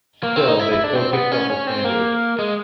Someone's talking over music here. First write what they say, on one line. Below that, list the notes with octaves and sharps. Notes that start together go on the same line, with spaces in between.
Still they focused on the standards.
A#3
C4
D#4
E4
E4
D4
C4
B3
C#4
C#4
C4
A#3
G#3